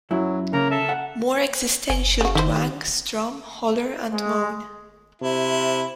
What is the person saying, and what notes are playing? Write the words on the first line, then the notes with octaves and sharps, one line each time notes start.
More existential twang, strum, holler, and moan.
F#2 F#3 E4
C#3 A#3 A#4 A#5
A4 E5 A5
F#5
F#1 G#5
C#3 F#4
D#3 E4 G4 C5
G3
G#3
C3 E4